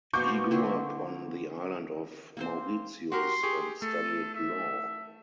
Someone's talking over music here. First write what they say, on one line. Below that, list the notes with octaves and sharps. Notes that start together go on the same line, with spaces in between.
He grew up on the island of Mauritius and studied law.
B2 A#3 C5 C#6 D6 G6
D3 C4 E4
A#3 C4 C5
F#4 G4 A#4 C6
G4 G#4 C#6
A3 A4
E5